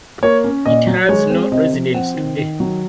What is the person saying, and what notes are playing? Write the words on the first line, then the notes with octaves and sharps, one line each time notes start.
It has no residents today.
A#3 C#5
C#4
A#2 D#5
F#3
G#3 C#5
C4
C3 D#5
F3
C4 F#5
D#3
D#3
F#3